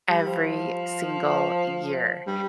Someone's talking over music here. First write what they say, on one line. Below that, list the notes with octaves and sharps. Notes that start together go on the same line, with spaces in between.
every single year,
G3
F3
G3